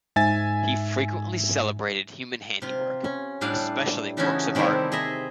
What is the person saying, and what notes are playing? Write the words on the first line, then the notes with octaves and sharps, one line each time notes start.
He frequently celebrated human handiwork, especially works of art.
G#2 E5 G#5 A6
C3 F4
C#4
A2 G3 D4 F5 F#5
C#3 E3 A3 B3 C#4 D#4
C3 D#3 G3 A3 C4 E4
G#4 D#5 E5